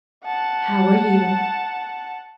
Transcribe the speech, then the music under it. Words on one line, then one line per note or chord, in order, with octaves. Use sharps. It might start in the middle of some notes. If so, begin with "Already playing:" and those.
"How are you?"
F#5 A5